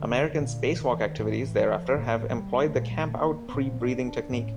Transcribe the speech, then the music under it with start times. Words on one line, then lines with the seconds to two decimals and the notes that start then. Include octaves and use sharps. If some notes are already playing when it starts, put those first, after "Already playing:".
American spacewalk activities thereafter have employed the "camp-out" pre-breathing technique.
Already playing: D3
0.41 A#2 D3
0.80 D#3
0.92 E3
1.05 D#3
1.18 A2 E3
1.58 F3
1.68 E3
1.77 F3
1.97 A2 A#3
2.30 F#3
2.37 G3
2.67 A3
2.76 A#2 G#3
2.91 G3
2.99 G#3
3.07 A3
3.15 A#3
3.49 B3
3.54 A#2 C4
3.80 D4
4.07 D4
4.32 A2 C#4